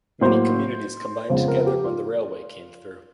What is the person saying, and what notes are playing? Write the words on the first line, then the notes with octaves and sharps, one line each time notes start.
Many communities combined together when the railway came through.
A2 F#3 A#3 C5
F2 C#3 F3 G#3 B3 C5
A#4
G4
F4